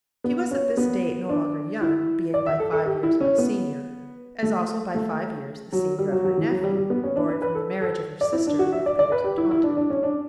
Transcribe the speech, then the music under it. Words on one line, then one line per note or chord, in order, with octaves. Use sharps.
She was at this date no longer young, being by five years my senior, as also, by five years, the senior of her nephew, born from the marriage of her sister with Peters of Taunton.
B3
C#4
B3
D4
E4
D5
E5
A4
A4
G4
E4
C#4
B3
A3
A3
F#3
G3
F#3
F#3
E3
F#3
G3
G3
B3
C#4
D4
B4
B4
A4
A4
D5
E4
D4
F#4
E5
D5
D5
B4
G4
E4
E4
D4
D4
C#4
D4